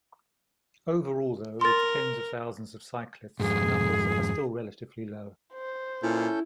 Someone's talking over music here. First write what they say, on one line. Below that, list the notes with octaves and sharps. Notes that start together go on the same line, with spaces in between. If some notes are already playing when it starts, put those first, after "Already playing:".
Overall, though, with tens of thousands of cyclists, the numbers are still relatively low.
A#4 C6 A6
F2 G#2 G#4
C5
A#2 C#4 E4 A4 G6